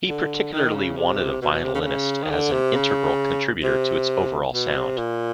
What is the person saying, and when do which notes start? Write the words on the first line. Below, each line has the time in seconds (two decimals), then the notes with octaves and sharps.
He particularly wanted a violinist as an integral contributor to its overall sound.
0.08 D3
0.53 D#3
0.75 C#3
0.97 C3
1.42 B2
1.52 B2
1.64 C3
1.74 C#3
1.81 D3
1.87 C#3
2.23 D#3
2.31 D3
2.53 C3
2.76 C#3
3.64 C3
4.52 B2
4.76 C3
4.98 A#2